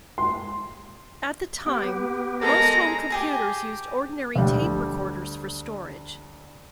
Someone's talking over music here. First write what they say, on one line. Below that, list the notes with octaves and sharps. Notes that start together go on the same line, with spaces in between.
At the time, most home computers used ordinary tape recorders for storage.
C6
B3 G4
G#3 A4 A#4 A#5 A#6
G4 G#4 A5
D2 G3